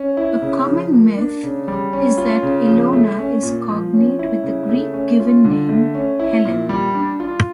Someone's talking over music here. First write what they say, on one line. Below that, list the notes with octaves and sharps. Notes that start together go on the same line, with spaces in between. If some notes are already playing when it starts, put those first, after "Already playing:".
A common myth is that Ilona is cognate with the Greek given name "Helen".
Already playing: C#4
E4
C#3
F3
A#3
D4
C#3
G3
C#4
F4
C#3
F3
A3
C#4
A#2
F3
C#4
E4
C#3
A3
C#4
F4
D3
A3
C#4
E4
A#2
G3
D4
F4